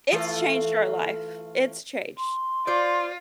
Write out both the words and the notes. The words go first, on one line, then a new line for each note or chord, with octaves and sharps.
It's changed our life, it's changed
E3 A3 F4
C6
F4 C5 D5